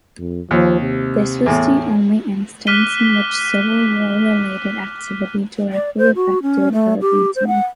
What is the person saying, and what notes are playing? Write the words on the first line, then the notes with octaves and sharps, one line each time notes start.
This was the only instance in which Civil War-related activity directly affected Irvington.
F2
D#2 F3
C3
E2 A2
D6 F6 F#6 B6 D#7 G7
D5
C5
F#4
C#4
A3
G4
C5
F#5